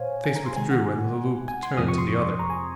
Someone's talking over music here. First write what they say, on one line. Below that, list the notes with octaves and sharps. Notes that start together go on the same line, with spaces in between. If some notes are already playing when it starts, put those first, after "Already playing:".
The face withdrew and Le Loup turned to the other.
Already playing: A#2 C5 C#5 F5 G#5
G#5
A#5
C6
C3 D#3 G#3 G#5
F#5
G#5
C6
F2 C3 F3 G#3 C4 D#6
C#6
C6
A#5
G#5